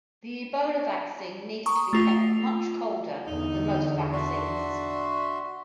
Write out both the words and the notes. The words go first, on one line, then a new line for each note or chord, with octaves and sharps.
The Ebola vaccine needed to be kept much colder than most vaccines.
A#5 C#6 D#6
A3 F4
E2 D3 D#4
D4 F#4 E5 C6